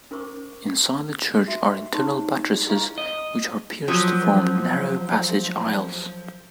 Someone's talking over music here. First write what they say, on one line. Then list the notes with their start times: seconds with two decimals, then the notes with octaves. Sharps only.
Inside the church are internal buttresses which are pierced to form narrow passage aisles.
0.11 C#4 A#4 C5 C#6 D6
1.48 F#4 E5
1.92 D#4 G4 C5 C#5 C6 C#6
2.70 E4 G#4 B4 D#5 F5 C#6
2.98 D#5
3.88 F3 F#3